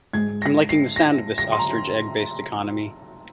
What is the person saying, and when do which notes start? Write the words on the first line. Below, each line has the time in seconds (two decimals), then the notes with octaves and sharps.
I'm liking the sound of this ostrich egg based economy.
0.13 G#2 G#3 G#6
0.42 A#6
0.69 C7
0.96 A#6
1.38 A#6
1.52 C6
1.59 A#5